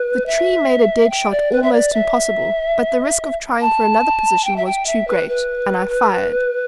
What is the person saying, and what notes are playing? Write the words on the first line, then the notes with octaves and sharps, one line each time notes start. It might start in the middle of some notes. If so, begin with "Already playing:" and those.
The tree made a dead shot almost impossible, but the risk of trying for another position was too great, and I fired.
Already playing: B4
E5
G5
D5
B4
E5
D5
E5
A5
G5
E5
G5
E5
B4
B4